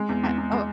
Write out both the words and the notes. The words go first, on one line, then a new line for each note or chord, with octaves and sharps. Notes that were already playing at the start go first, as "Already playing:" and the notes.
Uh oh.
Already playing: G#3
E2
E2
E2
G#3